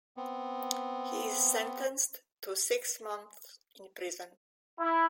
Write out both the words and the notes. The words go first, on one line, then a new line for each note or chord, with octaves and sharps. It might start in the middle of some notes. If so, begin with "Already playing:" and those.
He is sentenced to six months in prison.
B3 C4
E4